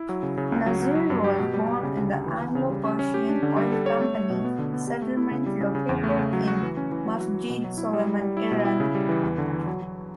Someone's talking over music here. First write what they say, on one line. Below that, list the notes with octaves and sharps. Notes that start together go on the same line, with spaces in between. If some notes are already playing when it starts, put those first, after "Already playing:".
Nasseri was born in the Anglo-Persian Oil Company settlement located in Masjed Soleiman, Iran.
Already playing: E4
F#3
C#3
C#3
C#2
F#3
F#3
F#3
G2
G4
B2
G3
G3
C#3
D2
D2
E3
E3
C#3
G3
C#4
C#4
G4
D4
D3
G3
A4
C#5
A3
A3
B2
B3
D3
B3
G4
A3
E4
C#3
G3
C#3
C#3
E2
A3
C#3
F#3
F#4
E3
C#4
E3
F#3
F#4
F#3
B2
F#3
E4
G3
G3
G3
E4
B2
E4
C#3
G3
E3
E2
D3
E2
F#3
F#3